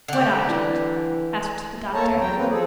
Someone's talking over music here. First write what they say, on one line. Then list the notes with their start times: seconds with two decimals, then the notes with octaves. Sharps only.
'What object?' asked the doctor.
0.08 D3 G4
0.49 E3
1.94 A#3 A4 C#5 A5 A#5
2.08 D2
2.21 E2 F#3 G5 A#5
2.37 A#3 C4 B4
2.50 F3 G#4 A4